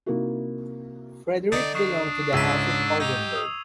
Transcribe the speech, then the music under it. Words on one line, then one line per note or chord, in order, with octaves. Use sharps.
Frederick belonged to the House of Oldenburg.
C3 A#3 D#4 E4 F#4
D3 D#4 D5 A5 D#6
D4 C#6 D#6 C7
C#2 G#2 E5 E6 G#6 D#7
D#4 G4 G#6 F7
D#6